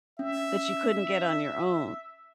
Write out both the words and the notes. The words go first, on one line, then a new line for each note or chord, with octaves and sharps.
that you couldn't get on your own.
C#4 E5